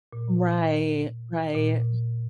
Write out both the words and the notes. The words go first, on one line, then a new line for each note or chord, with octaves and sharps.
Right, right.
A#2
A#2